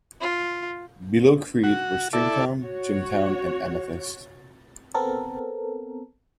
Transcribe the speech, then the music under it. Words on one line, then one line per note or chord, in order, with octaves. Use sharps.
Below Creede were Stringtown, Jimtown, and Amethyst.
F4
F#4
E4 A4 D5
F#4 C#5
B3 C4 A4 A#4